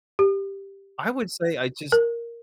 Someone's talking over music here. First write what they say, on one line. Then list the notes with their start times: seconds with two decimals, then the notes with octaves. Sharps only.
I would say I just
0.19 G4
1.92 A#4